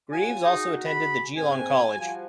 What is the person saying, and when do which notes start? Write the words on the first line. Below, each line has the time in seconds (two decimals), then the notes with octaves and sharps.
Greeves also attended The Geelong College.
0.12 F4 F#4 C#5 G#5
0.44 D#4 F#4 G#4
0.86 B5
1.37 G#2 C4 G#5
1.97 F3 G3 F#4